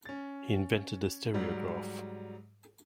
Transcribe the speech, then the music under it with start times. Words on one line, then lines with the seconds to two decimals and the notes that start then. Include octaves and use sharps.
He invented the Stereograph.
0.05 C#4 A6
1.34 G#2 F#3 G3